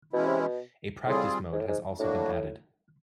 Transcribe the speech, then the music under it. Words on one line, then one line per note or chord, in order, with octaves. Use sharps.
A practice mode has also been added.
B2 E3 G#3 C#4 E4
C3
B2
A2 G3 C4 F4 G#4
G#2
A2
G#2
A2 G3 A#3 D4 F#4